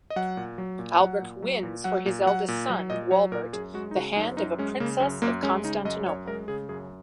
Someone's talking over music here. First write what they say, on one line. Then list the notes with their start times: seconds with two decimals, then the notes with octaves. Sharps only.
Alberich wins for his eldest son, Walbert, the hand of a princess of Constantinople.
0.10 D#5
0.16 F#3 F#5
0.37 A#2
0.58 F#3
0.79 A#2
1.00 F#3 F#5
1.22 A#2
1.42 F#3
1.63 A#2
1.84 F#3 F#5
2.06 A#2
2.26 F#3 F#5
2.48 A#2
2.69 F#3
2.90 A#2 D#5
3.11 F#3 C#5
3.32 A#2 A#4
3.53 F#2 G#4
3.74 G#3 F#4
3.91 D#4
3.95 C#3 F#4
4.16 F#2 D#4
4.37 F#2 D#4
4.58 G#3 C#4
4.80 C#3 A#3
5.00 F#2 C#4
5.22 F#2 A#3
5.43 G#3 C#4
5.64 C#3 D#4
5.85 F#2 D#5
6.06 F#2 C#5
6.28 G#3 A#4
6.48 C#3 G#4
6.69 F#2 G#4